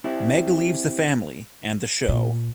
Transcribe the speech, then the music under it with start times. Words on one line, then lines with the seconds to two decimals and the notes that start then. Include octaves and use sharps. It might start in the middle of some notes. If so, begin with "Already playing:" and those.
Meg leaves the family, and the show.
0.04 C4 E4 G4
2.09 A#2